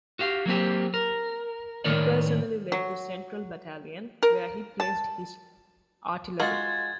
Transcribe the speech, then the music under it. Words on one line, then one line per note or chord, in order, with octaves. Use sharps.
He personally led the central battalion, where he placed his artillery.
F#4 G4 F5
F#3 A#3 C4 G4
A#4
A2 D#3 A#4 C#5 D5
F#3
A#4
A5
G#3 F4 F#4 G#6 A6